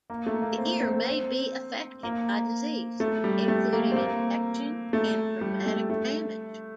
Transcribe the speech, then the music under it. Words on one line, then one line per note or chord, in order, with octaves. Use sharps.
The ear may be affected by disease, including infection and traumatic damage.
A#3
A3
A#3
C4
C4
A#3
A3
G3
A3
A#3
C4
A#3
A3
G3
A3
A3